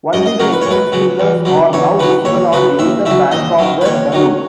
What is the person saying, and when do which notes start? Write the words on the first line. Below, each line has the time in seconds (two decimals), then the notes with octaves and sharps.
Only the entrance pillars are now visible on either bank of the Danube.
0.13 F#2 D#5
0.26 D#5
0.40 C#3 F#3 A#4
0.53 B4
0.62 C#5
0.66 F#2 B4
0.92 C#3 F#3
1.20 E2
1.45 C#3 F#3
1.73 E2 C#5
1.99 C#3 F#3 B4
2.25 D#2 C#5
2.52 C#3 F#3 B4
2.79 D#2 E5
3.05 C#3 F#3 E5
3.32 D#2 D#5
3.59 D#3 F#3
3.81 B4
3.85 D#2 C#5
4.12 D#3 F#3